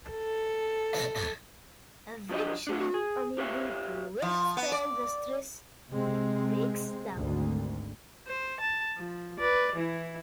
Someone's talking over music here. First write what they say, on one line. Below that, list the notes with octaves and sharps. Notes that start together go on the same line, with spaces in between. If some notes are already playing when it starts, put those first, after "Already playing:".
Eventually, unable to withstand the stress, it breaks down.
A4
F3 F#3 D4 G4 D#5
F#3 A3 D4
G#4
G4 B4 C#5 E5 F5
F3
B3
D5
C3 G#3 C4
G#1 D2
C5
A5
F3
B4 D5
E3 E4